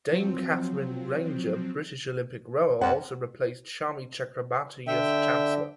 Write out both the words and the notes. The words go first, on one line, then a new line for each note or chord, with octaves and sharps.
Dame Katherine Grainger British Olympic rower also replaced Shami Chakrabarti as Chancellor.
F3 F#3 C4
F2 F#5
D3 E5 G5